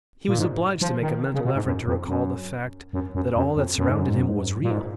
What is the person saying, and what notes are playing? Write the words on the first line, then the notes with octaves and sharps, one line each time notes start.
He was obliged to make a mental effort to recall the fact that all that surrounded him was real.
A#2
G#2
F3
D#3
C#3
B2
G#2
F#2
F2
F#2
F#2
F#2
F#2
F2
F#2
G#2
F#2
G#2
F#2
G#2
F#2
A#2
G#2